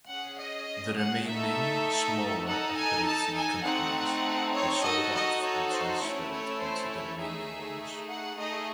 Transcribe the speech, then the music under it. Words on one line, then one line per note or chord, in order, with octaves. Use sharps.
The remaining smaller operating companies were sold off or transferred into the remaining ones.
C#4 G#4 F#5
D#5
F#5
A3 D#4 A4 E5
D#4 A4 F#5
G#5
A5
G#5
A3 C4 D#4 F#5
C#5
D#4 F#4 A4 D#5
D#5
C#5
C5
A3 C#4 E4 A4 C#5
C#5
C5
C#5
A3 D#4 G#4 E5
F#5
A3 D#4 G#4 D#5